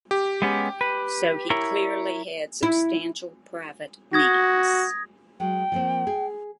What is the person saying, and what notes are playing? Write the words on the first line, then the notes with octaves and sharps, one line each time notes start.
So he clearly had substantial private means.
G4
G#3 B3 C#4
B4
E4 A#4 C#5
E4
F#4 D#6 G#6 A#6
F#3 G#3 G5
F3 A#3 C4
G#4